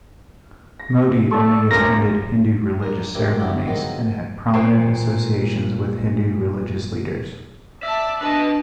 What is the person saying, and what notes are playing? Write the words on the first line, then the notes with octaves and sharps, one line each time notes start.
Modi only attended Hindu religious ceremonies, and had prominent associations with Hindu religious leaders.
A#6
A4 D5 C#6
G1 D2 A#4 A#6
D4 A#4
F#2 C3 G3 A3 D4 D6
G3 D4 E4 F#4 G4
D3 D#3 F3 F#3 G#3
A#2 C4
D5 E5 A5
D4 B4 D#5 G#5 A5